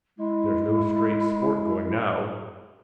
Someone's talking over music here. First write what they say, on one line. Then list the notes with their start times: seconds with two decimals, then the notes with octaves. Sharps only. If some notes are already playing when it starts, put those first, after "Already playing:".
There's no straight sport going now.
0.19 G#3 E4